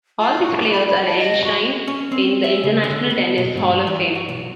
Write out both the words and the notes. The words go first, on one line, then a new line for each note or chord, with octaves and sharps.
All these players are enshrined in the International Tennis Hall of Fame.
F4
F#4
D6
B5
B5
A5
D#5
F#4
C#4
C4
E5
C#3
D3
B3
B2
G2
E3
F#4
B1